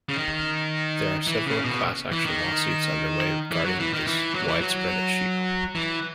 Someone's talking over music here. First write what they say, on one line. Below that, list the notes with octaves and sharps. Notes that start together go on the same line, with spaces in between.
There are several class-action lawsuits underway regarding this widespread issue.
C#3
D#3
E3
C#3
B2
E3
D#3
E3
F#3
E3
D#3
E3
F#3
E3
F#3
E3